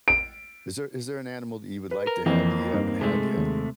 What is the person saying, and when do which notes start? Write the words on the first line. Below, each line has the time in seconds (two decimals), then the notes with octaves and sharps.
is there is there an animal that you would like to have that you haven't had yet?
0.08 D7
1.91 B4
2.07 A#4
2.26 F2 E3 F3 A#3 C4
2.73 G2 D#4
3.01 C3 G#3 A3
3.37 D#2